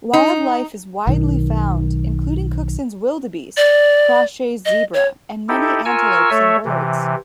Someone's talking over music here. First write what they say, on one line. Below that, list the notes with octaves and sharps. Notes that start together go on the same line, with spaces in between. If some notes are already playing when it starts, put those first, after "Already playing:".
Wildlife is widely found, including Cookson's wildebeest, Crawshay's zebra and many antelopes and birds.
D#4
B1 D#3
D5
D#5
C#5
D#4 E4 G4 A4
F4 A#4 G#5 C#6 E6 F6
A3 A4 C#5 E5
C3 E3